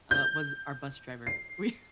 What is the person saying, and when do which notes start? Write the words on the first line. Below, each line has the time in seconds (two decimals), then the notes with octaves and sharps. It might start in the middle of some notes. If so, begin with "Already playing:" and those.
uh, was our bus driver. We
0.11 G6
1.27 C7